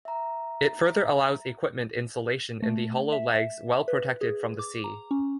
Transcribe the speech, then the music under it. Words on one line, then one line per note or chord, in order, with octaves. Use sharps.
It further allows equipment installation in the hollow legs well protected from the sea.
E5 A#5
A3
E5
E5
B4
G#4
D6
A#5
C#4